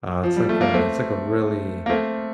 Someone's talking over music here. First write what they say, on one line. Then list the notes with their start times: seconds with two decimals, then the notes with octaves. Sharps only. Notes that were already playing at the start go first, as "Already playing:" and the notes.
Uh, it's like a it's like a really,
0.23 F3
0.36 G3
0.49 A3
0.61 A#3
0.73 A3 C4
1.86 A#3
1.89 A3 C4